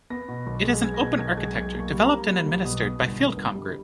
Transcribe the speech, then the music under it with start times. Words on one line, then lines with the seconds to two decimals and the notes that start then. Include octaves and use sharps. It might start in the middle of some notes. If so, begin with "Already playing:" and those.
It is an open architecture, developed and administered by FieldComm Group.
0.10 B3 A#6
0.28 B2
0.47 B1
0.65 G#3
0.83 B3 G#6
0.94 A#6
1.01 B2 G#6
1.19 B1 G#6
1.37 G#3 G#6
1.55 B1 G#6
1.74 A#3
1.80 C#6
1.91 G3
2.05 A#5
2.10 A#3
2.27 G3
2.46 B1
2.65 B2 D#6
2.83 B2
3.01 G1
3.19 G1
3.37 G1
3.55 G3